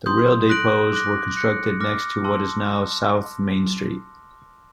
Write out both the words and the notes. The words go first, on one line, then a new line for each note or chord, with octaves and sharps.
The rail depots were constructed next to what is now S. Main Street.
C6 D#6 G6
F#6 A#6 D7 F#7
D6 F#6 A#6
F#6 A#6 C#7
D6 F6 A#6
A5 C6 E6